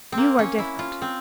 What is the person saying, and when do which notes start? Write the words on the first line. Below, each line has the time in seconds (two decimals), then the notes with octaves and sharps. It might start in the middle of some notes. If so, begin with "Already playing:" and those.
You are different.
0.12 C4
0.18 A#3
0.39 C#4
0.59 E4
0.79 F4
1.02 C4